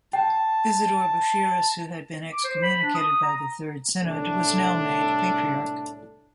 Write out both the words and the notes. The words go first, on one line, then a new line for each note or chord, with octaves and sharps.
Isidore Buchiras, who had been excommunicated by the third synod, was now made patriarch.
G5 A5
D6
C5
B5
D4
D#6
A#5
C2 A2 D4 A4